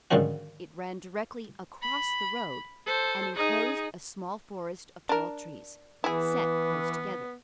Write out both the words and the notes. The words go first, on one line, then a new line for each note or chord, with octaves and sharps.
It ran directly across the road and enclosed a small forest of tall trees, set close together.
G#2 D3 D#3 F3 C#4 F#4
B5
A4 C5
D#4 G#4
D4 A#4
E3 B3 E4 G#4